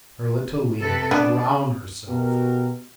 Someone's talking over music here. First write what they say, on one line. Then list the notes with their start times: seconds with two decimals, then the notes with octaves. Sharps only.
Her little Lena drown herself!
0.79 C3 A4 B4
1.11 B3 D4 D5
2.08 B2 F#4 G4 A#4